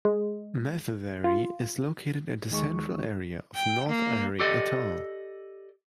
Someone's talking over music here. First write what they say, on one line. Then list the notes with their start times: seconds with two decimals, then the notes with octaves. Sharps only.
Mathiveri is located at the central area of North ari atoll.
0.05 G#3
1.24 F4
2.50 D#2 D#3 G#3 C#6
3.55 G5
3.88 A#3
4.40 G4 A4 D5 D#5